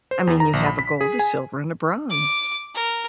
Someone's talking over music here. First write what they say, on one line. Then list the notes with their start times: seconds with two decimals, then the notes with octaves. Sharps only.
I mean, you have a gold, a silver, and a bronze.
0.11 C5
0.27 E2
0.40 A#5
0.53 A#1
0.66 B5
0.79 B6
1.01 G#4
1.19 G#5
2.10 D6
2.75 A#4